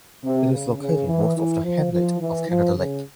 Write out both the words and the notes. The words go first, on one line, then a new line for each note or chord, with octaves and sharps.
It is located north of the Hamlet of Canada Lake.
C3
C#3
C#3
E3
E3
F3
F3
E3
F3
C#3